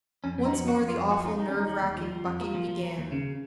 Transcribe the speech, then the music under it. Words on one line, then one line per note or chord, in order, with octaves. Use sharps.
Once more the awful, nerve-racking bucking began.
F2 C#4
F2
D#4
F#3
F#3 F#4
F2
F4
F2
F#3 F#4
F4
F#3 D#4
F#3 D#4
C#4
D#2 D#4
F#3
D#2
F3
F3
F2
F3 A#3
F3
F3
F#3
D#2
C#3